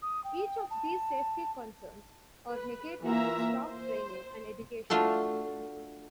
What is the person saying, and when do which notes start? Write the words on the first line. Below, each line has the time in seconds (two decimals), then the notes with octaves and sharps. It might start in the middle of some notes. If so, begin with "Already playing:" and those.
Each of these safety concerns are negated with staff training and education.
0.02 D#6
0.24 G5
0.70 A5
2.52 B4
3.02 E3 A#3 F4 E5 A#5
3.64 C5
4.90 A3 D4 F4 F#4 A4